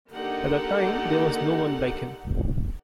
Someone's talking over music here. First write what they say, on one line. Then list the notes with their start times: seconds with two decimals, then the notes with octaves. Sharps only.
At the time, there was no one like him.
0.12 D3 A#3 D#4 G4 A4 F#5